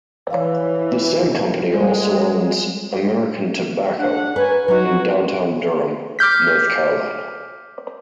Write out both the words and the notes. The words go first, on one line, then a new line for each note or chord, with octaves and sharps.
The same company also owns American Tobacco in downtown Durham, North Carolina.
E3 C#5 D5 F5
G3 G#3 C5 D5
D4 F#5
A#4 B4 C#5 G#5
F#3 D#4 F#4
D6 F6 G6 B6